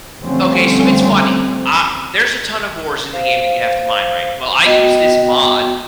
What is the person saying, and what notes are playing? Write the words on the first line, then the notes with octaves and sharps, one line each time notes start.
Okay, so it's funny. Ah there's a ton of ores in the game that you have to mine right. Well, I use this mod
D3 F3 G3 A3 C4 C#4
C5 F5
B3 F#4 D#5 G5